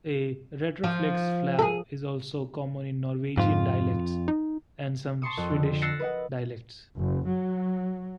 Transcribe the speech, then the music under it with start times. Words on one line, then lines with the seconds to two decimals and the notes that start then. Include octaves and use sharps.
A retroflex flap is also common in Norwegian dialects and some Swedish dialects.
0.84 F3
1.59 G#4 A4
3.37 F2 G#2 F4
4.28 D#4
5.22 A5 C6 C#6 D#6
5.37 F2
5.50 D3
5.82 E6 F#6 A6 A#6 C7 C#7
6.00 B4 D#5 F#5
6.97 F#1
7.27 F#3